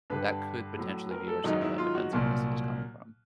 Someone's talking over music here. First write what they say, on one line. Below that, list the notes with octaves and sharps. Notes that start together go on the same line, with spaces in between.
that could potentially be where some of that defensiveness is coming from.
G2 D3 G3 B4
A2 F#3
A#4
A4
G#2 D#3 F#3 D#4
E4
F4
F#4
C2 A#2 F#3